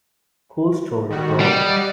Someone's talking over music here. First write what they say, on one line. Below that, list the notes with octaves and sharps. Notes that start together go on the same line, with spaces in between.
Cool story, bro!
D#3 G3 F#4
G3 D5 D#5 F#5